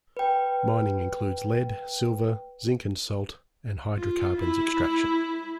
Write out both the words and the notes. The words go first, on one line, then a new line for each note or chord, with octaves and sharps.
Mining includes lead, silver, zinc and salt, and hydrocarbons extraction.
B4 G5
F4
E4